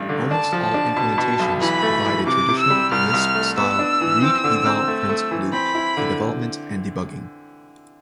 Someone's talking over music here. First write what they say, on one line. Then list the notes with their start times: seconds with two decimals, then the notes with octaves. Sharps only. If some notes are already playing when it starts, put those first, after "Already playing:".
Almost all implementations provide a traditional Lisp-style read-eval-print loop for development and debugging.
Already playing: A1 G2
0.09 D3
0.31 D4 A5
0.53 F3
0.63 A5
0.74 D4
0.96 B2
1.18 B2
1.40 B1
1.61 E3 B5
1.82 A3
2.05 E3
2.27 C3 D6
2.48 C3
2.59 E6
2.70 G3
2.91 C2 F6
3.13 C2
3.35 A3
3.57 B3 E6
3.79 D4
4.01 E3
4.22 C4
4.44 D3
4.66 C4
4.88 A3
5.09 A3
5.31 E3
5.53 C4 B5
5.75 E4
5.97 D3